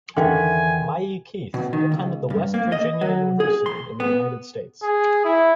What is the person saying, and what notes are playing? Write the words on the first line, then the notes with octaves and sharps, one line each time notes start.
Mayi Kith attended the West Virginia University in the United States.
E2 D3 D#3 A4 E5 G5 G#5
B2
D#3
C#2
G2
A#3
D#5
F#3
G#4
C6
B3
G#4
E4